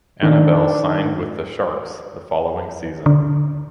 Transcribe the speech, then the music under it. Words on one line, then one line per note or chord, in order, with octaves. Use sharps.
Annabel signed with the Sharks the following season.
D#3 D4
D3